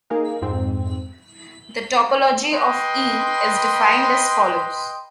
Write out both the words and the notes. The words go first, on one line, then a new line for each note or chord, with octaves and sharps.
The topology of "E" is defined as follows.
A#3 D#4 G#4 A#4 F5
F2 G#2 C4
B4 D#5 G5 C6